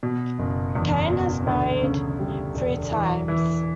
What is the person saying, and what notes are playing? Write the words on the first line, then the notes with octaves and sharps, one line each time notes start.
Cain has married three times.
B2
F#1
E2
B2
D2
C#3
G3
E1
E3
E3